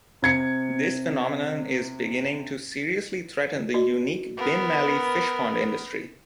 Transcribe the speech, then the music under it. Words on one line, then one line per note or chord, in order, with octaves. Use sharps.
This phenomenon is beginning to seriously threaten the unique Binmaley fishpond industry.
C3 G#6 C#7
F#4 D5 D#5
B3 A#4